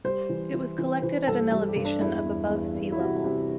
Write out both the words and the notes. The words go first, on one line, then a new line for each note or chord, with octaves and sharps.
It was collected at an elevation of above sea level.
G3 C5
E3
E3
E3
E3 C5
G2 A4
G3 A4
G4
G2
D4
E2 E4
E2
E2
E2
E4
C3 F#4
C3